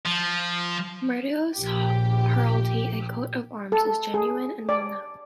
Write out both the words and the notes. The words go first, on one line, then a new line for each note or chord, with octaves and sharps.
Medeiros heraldry and coat of arms is genuine and well known.
F3
A#1 G4
A4
G#4
D5